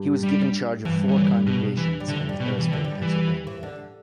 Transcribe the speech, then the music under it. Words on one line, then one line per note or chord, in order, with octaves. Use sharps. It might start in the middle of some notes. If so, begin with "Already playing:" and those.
He was given charge of four congregations in the Harrisburg, Pennsylvania area.
Already playing: G2
G3
G2 E3
D3
E3
B2
E3
G3
D3 E3
G3
B2
E3 G3
D3 E3
G3
E3
E3
D3